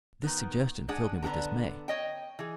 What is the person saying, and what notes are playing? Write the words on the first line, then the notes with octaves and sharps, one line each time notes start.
This suggestion filled me with dismay.
D#3 B3
G#3 D4 G#4 F#5
D3 B3 D4 G5 A#5
C#5 D#5 G5
E3 G#4